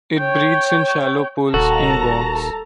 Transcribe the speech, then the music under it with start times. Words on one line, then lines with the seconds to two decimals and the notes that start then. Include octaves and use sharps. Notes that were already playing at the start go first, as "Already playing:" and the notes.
It breeds in shallow pools in bogs.
0.18 C#5 G5
1.54 D#1 F#4 A4 A5 A#5 A#6